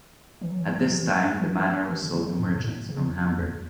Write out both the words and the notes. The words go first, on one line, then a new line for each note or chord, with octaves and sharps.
At this time the manor was sold to merchants from Hamburg.
E3
F#3
E3
F#3
E3
F#3
E3
E3
E3
F#3
E3
D3
F#3
E3
G#2
B2
A2
C#3
E2